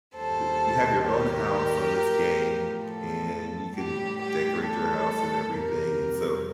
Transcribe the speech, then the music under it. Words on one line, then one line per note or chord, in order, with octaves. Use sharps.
th you have your own house on this game, and you can decorate your house and everything, and so,
D#2 D#3 G3 A4 C5
G4 A#4
A2 F3
A4
A2 G3 G4
G4
A4
F2 C3 G3 G4 A#4